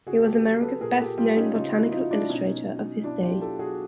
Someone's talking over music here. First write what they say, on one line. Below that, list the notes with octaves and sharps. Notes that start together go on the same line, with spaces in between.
He was America's best known botanical illustrator of his day.
C#3 F#4 G#4
G4 A4
F#3
A4 B4
A#2 G#4 A#4
G4 A4
G3 F4 G4
C#4 D#4
C#3 D#4 F4
E4 F#4
F3 D#4 F4
D4 E4
B2 C#4 D#4
F#3
B2 D4 E4
F4 G4
F#3 G4 A4
F#4 G#4